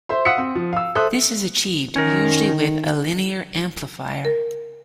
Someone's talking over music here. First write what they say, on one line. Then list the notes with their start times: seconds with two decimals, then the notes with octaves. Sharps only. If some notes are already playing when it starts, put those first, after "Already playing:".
This is achieved, usually, with a linear amplifier.
0.09 C5 E5 C6
0.25 F5 F#5 D#6 E6 B6 C#7
0.38 C4
0.55 F3
0.73 F5 E6
0.95 A4 C5 E5 D#6 F#6
1.96 D#3 C#4 D#4 A#4
4.25 A#4